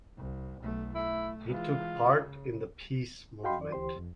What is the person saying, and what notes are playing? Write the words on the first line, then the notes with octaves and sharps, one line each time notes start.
He took part in the peace movement.
C2
B1 A3
A3 E4
E3 G#3 F4
C#3
F#4 D#5 F5 G5 B5 C6
D#3 D5
D2 E3 G4 C5 C6
F2